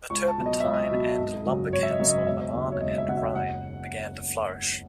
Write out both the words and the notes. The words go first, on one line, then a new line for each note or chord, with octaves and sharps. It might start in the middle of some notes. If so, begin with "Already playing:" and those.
The turpentine and lumber camps of Milan and Rhine began to flourish.
C#2 C#6
A5
B2 F#3
D#5
C#2 E5
D#5
B2 F#3
G#1
F#2 C#3 F#3
G#1 C#5
E5
D#5
F#2 C#3 F#3
D#5
E1 E5
D#2 C#3 F#3
C#5
E1 D#5
E5
D#2 C#3 F#3 F#5
E5
F#1 F#5